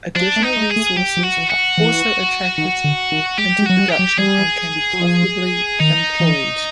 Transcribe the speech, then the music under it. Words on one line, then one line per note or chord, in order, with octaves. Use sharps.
Additional resources are also attracted into production and can be profitably employed.
F3 D4
A3
D#4
A3
G#4
A3
F#3 G4
F3
F#4
E3
F#4
E3
D#3
D3
D#3
G#3 G4
G#3
F#3 F#4
G3
G#4
G4
F#3
G3 G#4
F#3
F3
D#3 D#4
E3